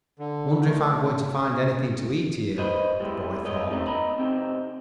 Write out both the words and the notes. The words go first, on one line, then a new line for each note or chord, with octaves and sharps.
"Wonder if I'm going to find anything to eat here," the boy thought.
D3
A3
B4 C5 D#5 B5
G3 G#3 B3 E4
A#4 B4 C#5 D#5
G#2 D3 A3 C4 C#4 D#4
B3 D#5 A#5 B5
C3 C4 D#4